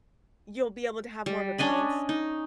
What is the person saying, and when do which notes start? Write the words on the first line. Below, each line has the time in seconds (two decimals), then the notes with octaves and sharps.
you'll be able to have more of a balance.
1.26 G3
1.58 C#4 D4 D#5 B5
2.09 D#4